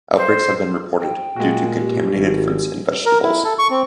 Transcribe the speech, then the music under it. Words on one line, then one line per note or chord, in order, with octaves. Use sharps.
Outbreaks have been reported due to contaminated fruits and vegetables.
C5
G5
A#2 G#3 A#3 F#4
G4
G#1
A#4
E4
A4
C#6
C4